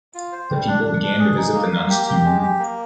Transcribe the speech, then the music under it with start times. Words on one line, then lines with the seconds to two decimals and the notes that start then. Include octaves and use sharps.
The people began to visit the nun's tomb.
0.15 F4
0.32 C5
0.50 G3
0.67 D4
0.85 D4
1.02 D4
1.19 G#4
1.37 D#4
1.54 A#3
1.72 A#3
1.89 G4
2.07 G4
2.24 G#3
2.42 G4
2.59 A#3